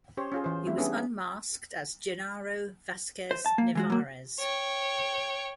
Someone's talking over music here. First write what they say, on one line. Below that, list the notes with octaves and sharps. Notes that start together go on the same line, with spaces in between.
He was unmasked as Genaro Vazquez Nevarez.
C#4 G4 C5 C#5
C#4 F4 G#4
E3 C5
G3 A3 C4 E4
B3 C#4 D4 E4 G4 G#4
C5
A5
A#3
E3 G#3 F#4
F#3 A#3
C#5 G5